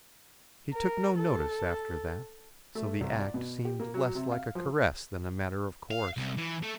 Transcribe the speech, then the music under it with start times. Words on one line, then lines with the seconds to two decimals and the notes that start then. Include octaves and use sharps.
He took no notice after that, so the act seemed less like a caress than a matter of course.
0.74 A#4
1.17 A4
2.75 A3
3.01 C2
3.20 D5
3.34 B2
3.65 G4
3.80 A#3
3.94 F#3
4.15 C3
4.32 F5
4.55 F3
5.91 F5
6.17 C2
6.37 E3
6.63 A3